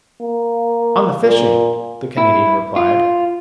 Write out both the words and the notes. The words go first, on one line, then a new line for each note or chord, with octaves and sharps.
"On the fishing," the Canadian replied.
A#3
A#2
E4
F4